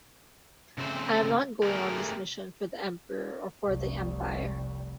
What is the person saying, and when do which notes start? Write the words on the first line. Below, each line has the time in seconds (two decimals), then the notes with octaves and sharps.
I am not going on this mission for the Emperor or for the Empire...
0.78 C#3 A3 C4 C5
1.63 A3 A#3 G4 G#4 A#4
3.66 F1 C2